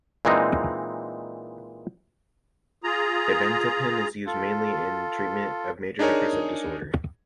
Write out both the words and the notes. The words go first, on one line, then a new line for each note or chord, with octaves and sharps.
Dibenzepin is used mainly in the treatment of major depressive disorder.
A#2 E3 G#3 C4 D#4
F4 G#4 A#5
F4 A4
D4 D#4 G#4 A#4 C#5